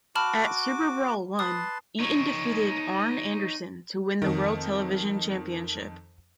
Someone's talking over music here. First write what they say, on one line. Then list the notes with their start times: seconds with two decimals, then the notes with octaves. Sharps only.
At SuperBrawl I, Eaton defeated Arn Anderson to win the World Television Championship.
0.15 F#4 A5 B5 D6 F6
1.39 B4 A5 C6 D#6
2.00 D#4 C#5
4.22 F2 D#3